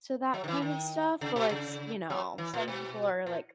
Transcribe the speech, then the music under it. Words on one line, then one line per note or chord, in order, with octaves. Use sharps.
to that kind of stuff. But, like, s you know, some people are, like,
F#3
D#3
E3
D#3
C#3
B2
C#3
F#3
E3
A#2
B2
A#2